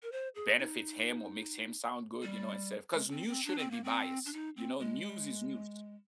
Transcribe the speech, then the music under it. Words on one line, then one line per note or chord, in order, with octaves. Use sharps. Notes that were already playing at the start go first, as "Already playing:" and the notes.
benefits him or makes him sound good, you know, instead of 'Cause news shouldn't be biased, you know? News is news,
A#4
C5
G#4
D#4
G3
G#3
C4
C4
D4
C4
A#3
C4
D4
D#4
C4
G#3